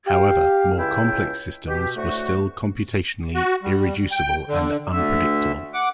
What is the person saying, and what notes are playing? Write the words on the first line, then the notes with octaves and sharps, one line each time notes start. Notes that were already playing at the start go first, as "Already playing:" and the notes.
However, more complex systems were still computationally irreducible and unpredictable.
G4 F5
C#2 E4 G5
B2 G4
D2 A2 A3 F#4
F#4
G3
G5
D3
D2 D3 E5
F#5 D6